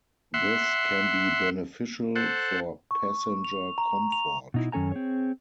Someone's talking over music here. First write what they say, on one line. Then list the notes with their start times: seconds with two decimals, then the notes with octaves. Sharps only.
This can be beneficial for passenger comfort.
0.34 E5 F#5 C6
2.16 A4 C5 F#5
2.91 C#6
3.44 F7
3.78 A#5
4.12 F7
4.54 B2 D#4 E4
4.72 F#2 D#3 C#4 A4 G#5 A#5
4.92 C4 G#4 C#5